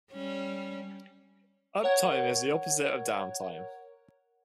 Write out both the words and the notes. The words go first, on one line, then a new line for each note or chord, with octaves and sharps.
Uptime is the opposite of downtime.
G3 C#4
A#4 C#5 F#5 G#6